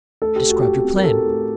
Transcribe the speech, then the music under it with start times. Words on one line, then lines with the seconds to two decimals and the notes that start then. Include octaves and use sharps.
"Describe your plan."
0.22 A3 A4
0.36 G4
0.42 A3
0.49 F#4
0.62 A3 G4
0.84 C4
0.96 A#4
1.04 A2 A4
1.25 A3